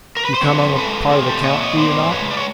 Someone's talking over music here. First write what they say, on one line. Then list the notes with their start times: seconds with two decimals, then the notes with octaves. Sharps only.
"You come on the part of the count, do you not?"
0.17 A#4
0.25 B4
0.34 C5
0.42 C4 B4 C#5
0.65 F#2
0.76 A4 B4
0.87 G#3
1.09 C4 G#4 A#4
1.26 G4 A4
1.33 A#2
1.43 C#5 D#5
1.53 A3 E5
1.61 C#5 D#5
1.77 B3 C5 D5
2.00 G#2
2.11 B4 C#5
2.22 G#3
2.31 D5
2.37 C#5